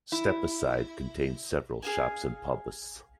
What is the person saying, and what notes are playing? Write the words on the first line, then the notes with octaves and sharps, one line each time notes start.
Stepaside contains several shops and pubs.
E4
G#4 F5 G#5